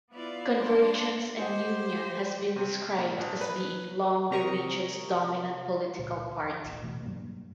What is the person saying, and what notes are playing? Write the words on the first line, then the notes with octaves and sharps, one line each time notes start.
Convergence and Union has been described as being "long the region's dominant political party".
B3 E4 F4 B4 D5 F5
D4 A5 C6
G4 G#4 C5 D#5 F#5
C3
A#2
A#1
B4
C3 C4 A#4 A#5 C#6 D#6
C#2 A#2 D3
F2
F1 A#1 D#2
A1 B2 E3 A3
G2 F#3 G3 A#3